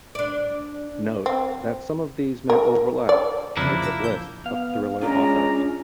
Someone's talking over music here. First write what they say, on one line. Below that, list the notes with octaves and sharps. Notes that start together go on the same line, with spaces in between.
Note that some of these may overlap with the List of thriller authors.
D4 D5
C4
A#4
D5
F2 C#3 F3 A#3 D4 E4
D6 E6 A#6
A#1 G6
B3 F5
G#3 C#4 D4 F4 D5 A#5